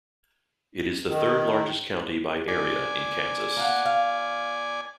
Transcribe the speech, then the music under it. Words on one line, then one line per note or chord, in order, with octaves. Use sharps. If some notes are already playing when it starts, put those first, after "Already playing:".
It is the third-largest county by area in Kansas.
D#3
D5 G#5
A#3 F#5
F5